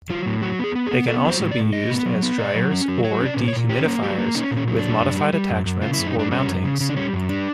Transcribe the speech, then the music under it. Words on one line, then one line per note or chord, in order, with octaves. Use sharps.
They can also be used as dryers or dehumidifiers with modified attachments or mountings.
F#3 F4
A2
F#3 F#4
B3 G#4
B3
G#4
B3
B3 A4
F#3 C5
A2
D5
A2
A2 D#5
B3
F#3
B3
A#2 D5
F#3
C#4
F#3
F#3 C#5
C#4
D5
A#2
C#5
A#2
C#4 G4
A#3
F#3 G4
A#3
C#4 D#4
A#2
C#4
F#3
A#2 D4
F#2
G3
G3
F#2
F#2
C#3 F4
F#2 E4
D#4
F#2 D4
G3 C#4
F#2
C#3
C#3
D4
G3 C#4
F#2
G3 D4